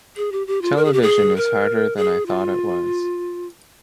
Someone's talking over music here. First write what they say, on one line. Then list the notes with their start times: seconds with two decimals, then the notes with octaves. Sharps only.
Television is harder than I thought it was.
0.17 G#4
0.32 G4
0.47 G4
0.62 F4
0.77 A#4
0.85 G#4
0.93 G4
1.02 G#4
1.36 A#4
1.97 G#4
2.26 F4